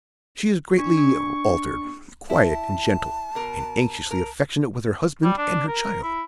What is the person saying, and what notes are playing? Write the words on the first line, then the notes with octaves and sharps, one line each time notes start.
She is greatly altered--quiet and gentle, and anxiously affectionate with her husband and her child.
D4 C#6
D4
E4 A5
B2 A#4
A#4
G3
D4
A#4
E4